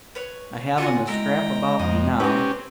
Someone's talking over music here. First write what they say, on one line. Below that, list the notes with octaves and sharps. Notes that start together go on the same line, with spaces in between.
I haven't a scrap about me now.
B4 C#5
F4 F#4 F#5 G#5 C#6
G#3 E4 G5 A#5
F2 D#5
C4 C#4 G4 B4 A#5